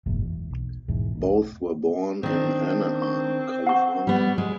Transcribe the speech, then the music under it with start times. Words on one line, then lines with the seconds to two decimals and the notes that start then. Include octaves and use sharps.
Both were born in Anaheim, California.
0.06 F#1 B1 E2 G#2
0.22 E2
0.51 B1
0.88 B1 E2 G#2
2.23 D#3 C4 D4
3.02 C#6
3.67 F#5 C#6
4.07 G3 B3
4.38 G#3